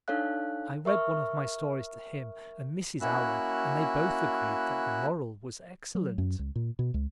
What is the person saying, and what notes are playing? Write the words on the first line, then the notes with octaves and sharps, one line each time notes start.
I read one of my stories to him and Mrs. Allan and they both agreed that the moral was excellent.
D4 D#4 A4 C#5 F5 F#6
A#4 E5 C#6 F6
A#3 C#4 E4 F#4 E6 F#6
F#3
F#2
C#2
A#2
B2
C#2